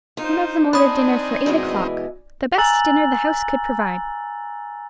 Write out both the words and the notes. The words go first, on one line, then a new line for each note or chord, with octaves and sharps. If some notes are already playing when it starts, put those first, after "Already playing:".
One of them ordered dinner for eight o'clock, the best dinner the house could provide.
D#4 F4 C5
C4 D4 D#4 D5 G#5 B5 D#6
B2 E3 G#3
G#5 A#5 E6 F#6 A6 F#7